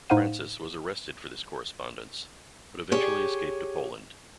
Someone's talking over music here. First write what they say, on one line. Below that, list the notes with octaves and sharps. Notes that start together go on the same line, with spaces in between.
Francis was arrested for this correspondence but eventually escaped to Poland.
A2 D#4 C5 F5 F#5 D#7
G4 G#4 C#5